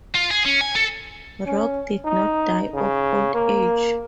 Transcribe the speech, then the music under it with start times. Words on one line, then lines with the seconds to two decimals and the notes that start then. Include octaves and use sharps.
Rock did not die of old age.
0.15 F4
0.31 G#4
0.45 C#4
0.61 G#5
0.76 A4
1.46 C#4
2.04 D#4
2.74 C#3
3.34 A#3